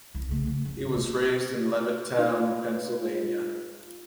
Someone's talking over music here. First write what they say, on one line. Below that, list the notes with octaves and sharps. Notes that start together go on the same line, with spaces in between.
He was raised in Levittown, Pennsylvania.
C2
C#3 A3
C#3
F#2
C#3
C3
D#4 F4 B4